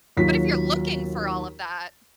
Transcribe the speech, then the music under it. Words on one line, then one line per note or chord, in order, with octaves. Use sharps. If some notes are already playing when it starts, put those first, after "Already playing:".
But if you're looking for all of that,
D#2 F#3 F4 F#4 B6